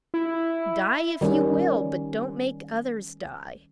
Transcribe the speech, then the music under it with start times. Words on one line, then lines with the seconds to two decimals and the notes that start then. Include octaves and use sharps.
Die, if you will, but don't make others die.
0.14 E4
1.21 D#3 G3 C#4